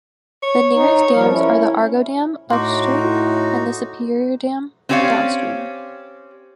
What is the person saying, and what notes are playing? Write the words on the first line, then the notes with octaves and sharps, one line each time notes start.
The nearest dams are the Argo Dam upstream and the Superior Dam downstream.
C#5
D#4
F3 G3 A#4
C#4 E4
A2 D#4 F#4 C6 D6
C4 C#4 G4 C#5 D5 F5